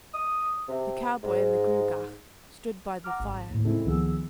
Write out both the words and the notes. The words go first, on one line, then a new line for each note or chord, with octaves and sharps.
The cowboy and the Gruagach stood by the fire.
D#6
C3
G#2
F#5 A#5 D6 F6
G#1
D#2 A2
C#3 G#3 C4 E4 A4
C#2 D#3 F3 B3 G#4 E6